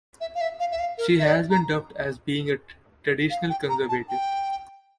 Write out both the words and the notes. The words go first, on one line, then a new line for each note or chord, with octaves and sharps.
She has been dubbed as being a 'traditional conservative'.
E5
F5
E5
F5
E5
F5
A#4
E5
D5
A#5
F5
G5
A#5
A5
G5